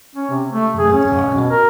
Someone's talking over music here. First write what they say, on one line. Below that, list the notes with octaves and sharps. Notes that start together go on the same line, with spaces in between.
That's hard.
C#4
C3
A3
G#4
C#4
B2
A#4